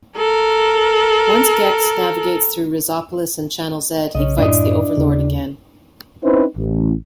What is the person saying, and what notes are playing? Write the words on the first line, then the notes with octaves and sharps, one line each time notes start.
Once Gex navigates through Rezopolis and Channel Z, he fights the overlord again.
A4 A#4
B1 C#3 C#4 D#5
F#2 A2 D4 E4 D#5
D#2 C#3
C4 C#4 D#4 E4 B4 C5
A1